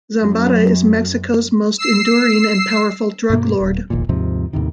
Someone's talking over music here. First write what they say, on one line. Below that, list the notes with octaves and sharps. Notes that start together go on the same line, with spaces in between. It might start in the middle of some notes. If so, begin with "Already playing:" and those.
Zambada is Mexico's most enduring and powerful drug lord.
F#2
E6 C7
G2 B2 A#3
D#1
E1 A#1 D#2 A#2
D#2 G#2 C3 F3
D#2 A2 C3 D#3